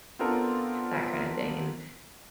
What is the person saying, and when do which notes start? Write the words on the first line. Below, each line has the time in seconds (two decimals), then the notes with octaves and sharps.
that kinda thing, and
0.19 B3 C4 D4 F4 A4 A#4